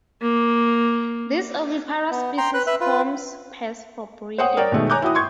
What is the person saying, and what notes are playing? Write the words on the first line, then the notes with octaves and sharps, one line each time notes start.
This oviparous species forms pairs for breeding.
A#3
B3
G5 A#5 C6
B4 F#6
B4 E5 F#6
F4 B4
C5 C#5 F#5 G5 D#6
A#4 C#5 D5 G5
B2 D#3 G#3 A3
C#5 G#5 A#5 D6 F#6 G6
E4 F#4 G5 D#6
C6 C#6 G#6